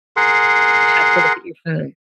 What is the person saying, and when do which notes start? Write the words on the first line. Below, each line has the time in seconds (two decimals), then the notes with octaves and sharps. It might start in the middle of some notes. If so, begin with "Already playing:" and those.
you have to look at your phone?
0.16 G#4 A#4 F#5 C6